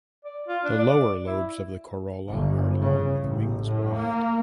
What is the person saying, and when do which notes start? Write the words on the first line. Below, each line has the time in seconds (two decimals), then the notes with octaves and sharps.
The lower lobes of the corolla are long with wings wide.
0.25 D5
0.48 F4
0.64 D4
0.79 D5
1.27 E4
2.30 G1
2.79 C#3
3.20 A1
3.65 A2
3.96 A#3